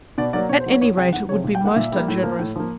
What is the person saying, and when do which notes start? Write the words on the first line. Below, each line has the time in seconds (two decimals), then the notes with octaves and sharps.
At any rate it would be most ungenerous.
0.18 B2 D5
0.33 F#3 A#3 D5
0.49 B2 C#5
0.60 C5
0.66 F#3 A#3 C#5
0.81 E2 C#5
0.97 C3 F3 G#3 G5
1.13 E2 F#5
1.29 C3 F3 G#3 C#5
1.44 A#2
1.55 G5
1.60 G3 A#3 F#5
1.76 A#2 E5
1.92 G3 A#3
2.08 A2
2.23 F3 A#3
2.39 A2
2.56 F3 A#3